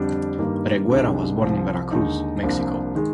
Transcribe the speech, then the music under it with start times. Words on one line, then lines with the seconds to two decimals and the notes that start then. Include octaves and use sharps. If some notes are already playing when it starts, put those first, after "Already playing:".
Reguera was born in Veracruz, Mexico.
Already playing: F2 D3 G3 D4
0.39 G2 D#3 G3 A#3
0.90 C2 C3 D#3 G#3 D4
1.41 C2 C3 F3 C4
1.91 D#2 D3 G#3 D#4
2.43 C2 C3 F3 A#3 D4
2.95 D#3 G#3